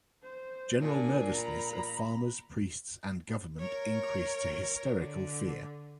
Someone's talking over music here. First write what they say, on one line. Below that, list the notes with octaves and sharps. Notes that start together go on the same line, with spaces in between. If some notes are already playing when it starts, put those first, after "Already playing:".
General nervousness of farmers, priests and government increased to hysterical fear.
C5
A#2 D4 G#5
A#5 B5
A#4 C#5
D3